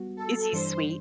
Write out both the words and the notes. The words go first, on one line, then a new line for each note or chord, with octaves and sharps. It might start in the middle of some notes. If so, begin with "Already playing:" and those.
Is he sweet?
Already playing: G3 B3 F#4
A4
G2 E3 G3 D4 C5